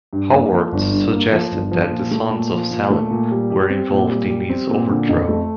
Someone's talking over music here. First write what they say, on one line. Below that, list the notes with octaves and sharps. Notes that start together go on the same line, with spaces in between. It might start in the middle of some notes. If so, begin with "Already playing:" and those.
Howorth suggested that the sons of Selim were involved in his overthrow.
G2
A#3
F3
G1
G2
A#3
F3
G1
F3
A#2
A3
A#2
F3
A#2
A3
A#2
G3
G4
C4
A#2
G3
G4
C4
A#2
D3
F2
A3